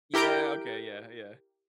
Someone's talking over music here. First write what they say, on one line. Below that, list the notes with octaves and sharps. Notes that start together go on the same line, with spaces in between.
Yeah, okay. Yeah, yeah.
E4 G4 A#4 G6 D7